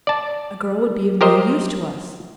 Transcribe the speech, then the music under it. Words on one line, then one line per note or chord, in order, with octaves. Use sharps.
A girl would be of no use to us.
D5 A5
G4 A#4 C5 D#5